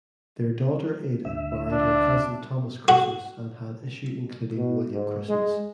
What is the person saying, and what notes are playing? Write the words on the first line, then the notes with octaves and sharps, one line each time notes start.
Their daughter Ada married her cousin Thomas Christmas and had issue including William Christmas.
D2 E5
D4
F#4
B2
G#2
G#3